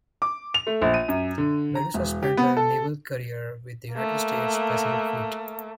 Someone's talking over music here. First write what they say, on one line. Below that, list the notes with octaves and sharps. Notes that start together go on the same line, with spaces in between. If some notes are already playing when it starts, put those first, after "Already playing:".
"Medusa" spent her naval career with the United States Pacific Fleet.
D6
F7
A3
A#1
D#7
F#2
D3
A#5
E1
G4
B3
A4
A3 A#3